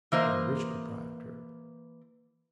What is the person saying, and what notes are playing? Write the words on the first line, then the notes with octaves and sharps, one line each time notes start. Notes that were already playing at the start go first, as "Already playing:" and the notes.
For the rich proprietor.
E3 A#3 C5 D#5